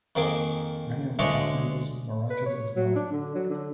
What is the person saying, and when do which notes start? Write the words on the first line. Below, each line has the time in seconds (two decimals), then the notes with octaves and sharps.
Many of the cast members were writers as well.
0.16 F2 D#3 A#3 G#4 D6
1.19 D2 G#3 D4 C#5 D#5 D6
2.30 B4
2.46 C#5
2.76 F#3
2.96 D4
3.12 D3
3.35 F#3
3.50 D3